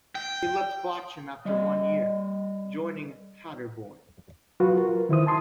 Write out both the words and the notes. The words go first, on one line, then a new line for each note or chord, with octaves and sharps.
He left Bochum after one year, joining Paderborn.
G5
G3 D#5
F#3 F4 F#4 B4
A#4
D#3 E4 C5 D#6
G#5 A5 C6 D#6